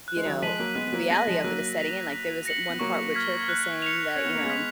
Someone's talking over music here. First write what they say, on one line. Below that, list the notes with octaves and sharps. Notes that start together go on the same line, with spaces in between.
you know the reality of it is setting in like, there was one part where Turk was saying that, you know
F#6
G#3
D#3 F#3
F3 G#3 B6 D#7 F#7
F#3 A#3
G#3 B3 F#6
B3
F#3 A#3
G#3 B3 A#6 D#7
F3 G#3
F#3 A#3 F#6
B6 F7
F#6
A#6 C#7 F#7
B3
F#3 A#3 C#6
F6 G#6 B6
F#6
C#7 F7
C#4 G#6
B3
A#3
G#3 B3
B6 F7